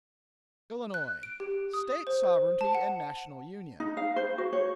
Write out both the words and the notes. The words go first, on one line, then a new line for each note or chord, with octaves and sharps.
Illinois--State Sovereignty and National Union.
F#6
D7
G4
D#6
C5
C5
A5
F#5
D#4
F5
C5
F#4
C#5